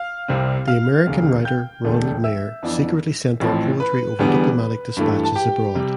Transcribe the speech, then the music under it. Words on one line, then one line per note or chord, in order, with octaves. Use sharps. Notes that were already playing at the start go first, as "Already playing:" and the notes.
The American writer Ronald Meyer secretly sent their poetry over diplomatic dispatches abroad.
Already playing: F5 F6
C2 C3 G3 C4
F5 F6
E1 D2 C3
G5 G6
E1 D2 D3 A3 D4
E5 E6
F2 E3 B3 D4
A1 A2 F3 C4
B4 B5
E1 E2 D3 G3 B3
G2 E3 A3
A5
G4 G5
C3 G3